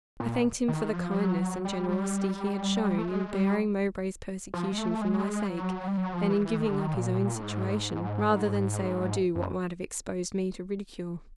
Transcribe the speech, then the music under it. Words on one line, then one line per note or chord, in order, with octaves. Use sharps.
I thanked him for the kindness and generosity he had shown in bearing Mowbray's persecution for my sake, and in giving up his own situation, rather than say or do what might have exposed me to ridicule.
A#2
D#3
F3
F3
F#3
G3
G3
A3
G#3
G3
F3
G#3
A3
G#3
G3
F#3
G3
F#3
F3
E3
E3
D#3
D3
D#3
A#2
A2
G#2
F#2